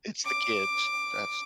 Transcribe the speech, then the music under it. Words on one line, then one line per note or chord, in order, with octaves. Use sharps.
It's the kids. That's
D6